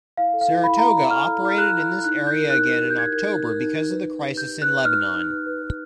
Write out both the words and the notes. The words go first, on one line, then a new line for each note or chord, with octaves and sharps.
"Saratoga" operated in this area again in October because of the crisis in Lebanon.
E4 F5
A4
F5
E4
E4 B5
E4 A#5
B5
D5
A4 F6
A4
E4 F6
E4 F#6
E4
E4
D#4 F#6
D#4
G6
A#4
D#4 F#6
A#4
G4
G6
G4 G#6
A#4
D#4
A#4
D#4
D#4
B4
D#4
G4
G4 G6
G4
F#6
B4
D#4 F6
B4
D#4
B4
B4
B4